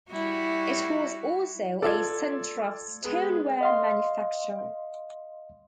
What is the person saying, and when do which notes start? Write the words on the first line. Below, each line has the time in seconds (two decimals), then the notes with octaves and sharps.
It was also a center of stoneware manufacture.
0.11 G3 E4 F#4
1.82 F4 A4 D5 E6 G#6
3.04 G#3 B3
3.61 D#5 F5 C6